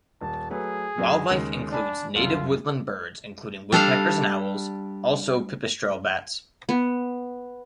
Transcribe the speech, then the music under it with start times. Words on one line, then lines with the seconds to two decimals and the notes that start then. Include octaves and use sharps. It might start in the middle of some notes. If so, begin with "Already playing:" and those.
Wildlife includes native woodland birds including woodpeckers and owls, also pipistrelle bats.
0.21 D#1 A5
0.50 F#3 A3 G#4 B4
0.98 F#2 F#4
1.30 D#2 C#3 G#3
1.72 D4 D5 G#5 B5
2.15 C2 F#2 F4
3.72 G3 D4 A4 F5
6.69 B3